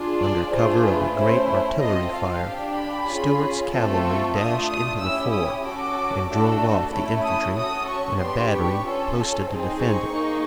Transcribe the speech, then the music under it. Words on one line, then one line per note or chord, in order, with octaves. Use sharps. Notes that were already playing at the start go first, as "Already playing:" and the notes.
Under cover of a great artillery fire Stuart's cavalry dashed into the ford, and drove off the infantry and a battery posted to defend it.
Already playing: D4 F4 G#4
D5
A3 D4 F4 G#4 C5
B4
A3 C#4 E4 C5
C4 F4 A4 D#5
F5
D4 G4
B5
C#4 F4 G#4
A3 C4 F4 A4
C#6
A3 D4 F4 D#6
D#6
C#4 E4 G4 E6
D#6
C#4 F#4 A4 D6
A3 D4 F#4 A4
A3 C#4 E4 A4
D#6
C#4 F#4 A4 D#6
C#6
B3 D4 G4 C6
C#6
C#4 F4 A4
C4 D#4 G#4
C#6
A#3 D#4 G#4